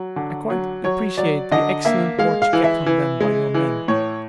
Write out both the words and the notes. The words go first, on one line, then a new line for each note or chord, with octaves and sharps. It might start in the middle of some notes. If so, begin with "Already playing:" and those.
I quite appreciate the excellent watch kept on them by your men.
Already playing: F#3
D3
F#3
F#3 C#5
F#3 D5
D3 D#5
A#3 E5
G#3 F5
F5
E3
E5
E3
G#3
E3
A2 C#5